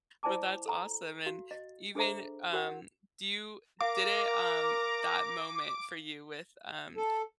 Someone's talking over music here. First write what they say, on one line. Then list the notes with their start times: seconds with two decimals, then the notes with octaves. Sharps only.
But that's awesome and even, um, do you did it, um, that moment for you with, um,
0.23 E4 C5 D5 G#5 A5 D6
0.66 A4 A#5
1.26 F#4 F5
1.51 D#5
1.95 D4 G#4 A4 C5 E5 A#5
2.53 F#4 A#4 C#5 F#5
3.81 A#4 F5 A#5 D6
6.97 A4